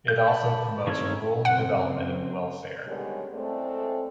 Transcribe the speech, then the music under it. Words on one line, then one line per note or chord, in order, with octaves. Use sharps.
It also promotes rural development and welfare.
G6
A5 B5
D#3 A3 C4 C#4 C#5
F#1 C4 F#5
D3 D#3 G3 G#3 B3 C#4
A2 G#3 A3 C4 A4 D5